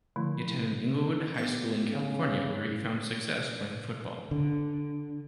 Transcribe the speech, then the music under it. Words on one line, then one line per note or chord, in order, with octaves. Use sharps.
He attended Inglewood High School in California where he found success playing football.
D3 F3 A3 E4
B2 G4
C#3
D3